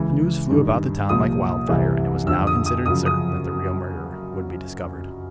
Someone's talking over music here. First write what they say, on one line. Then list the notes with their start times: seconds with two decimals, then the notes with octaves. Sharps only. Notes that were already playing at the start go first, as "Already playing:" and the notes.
The news flew about the town like wildfire, and it was now considered certain that the real murderer would be discovered.
Already playing: C#2 C#3 E3
0.51 G2 D#3
1.09 C2 A#2 F3 D#6
1.68 C2 C3 E3
2.27 F2 D3 F3 E6
2.47 D#6
2.66 D#6
2.86 F#2 C#3 F3 D#6
3.06 D#6